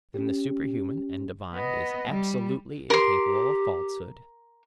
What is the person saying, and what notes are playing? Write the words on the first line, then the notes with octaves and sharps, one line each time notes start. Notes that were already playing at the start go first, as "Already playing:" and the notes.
Then the superhuman and divine is absolutely incapable of falsehood?
C#4 G4
B3 D#5
G3
G4 A#4 C6